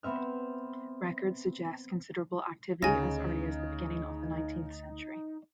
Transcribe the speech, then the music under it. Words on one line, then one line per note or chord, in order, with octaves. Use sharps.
Records suggest considerable activity as early as the beginning of the nineteenth century.
B3 C4 E5 F6
D2 C#3 D#4 G#5 A#6